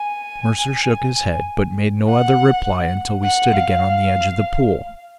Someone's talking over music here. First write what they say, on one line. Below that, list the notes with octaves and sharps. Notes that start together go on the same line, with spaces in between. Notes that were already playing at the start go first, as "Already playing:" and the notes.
Mercer shook his head, but made no other reply until we stood again on the edge of the pool.
Already playing: G#5
F#5
F#5
F5